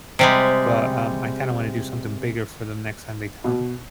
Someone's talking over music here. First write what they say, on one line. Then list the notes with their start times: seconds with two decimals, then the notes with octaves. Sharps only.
but, um, I kinda wanna do something bigger for them next time they come.
0.19 C3 G3 G#3
3.44 B2